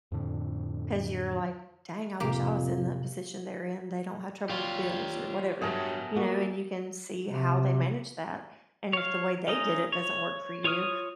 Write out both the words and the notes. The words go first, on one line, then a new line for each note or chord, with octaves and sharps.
'cause you're like, "Dang, I wish I was in the position they're in. They don't have trouble with bills or whatever." you know, and you can see how they manage that. And if the way they did it doesn't work for you,
F2 A2 D3
F2 A2 C3 A#3 G4
G3 F4 G4 C#5
G2 F#3 B3 G#4 A#4 E5 A5
A#3 F#4
C3
C#5 F5
C#4 D#4 D#5
C#5
F4 C#5 C#6 D#6 F6